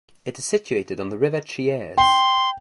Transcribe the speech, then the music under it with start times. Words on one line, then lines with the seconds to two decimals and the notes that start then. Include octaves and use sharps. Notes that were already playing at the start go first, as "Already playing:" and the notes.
It is situated on the river Chiese.
1.98 G5 C6